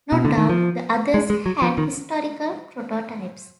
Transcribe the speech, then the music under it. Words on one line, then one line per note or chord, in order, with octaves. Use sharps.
No doubt the others had historical prototypes.
B2
D3
D#3
F3
G#3
G#3
F#3
F3
D#3